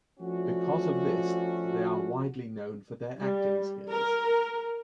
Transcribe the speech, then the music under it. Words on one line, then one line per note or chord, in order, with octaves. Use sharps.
Because of this, they are widely known for their acting skills.
F3 A3 C#4 D4 F#4
G3
A#4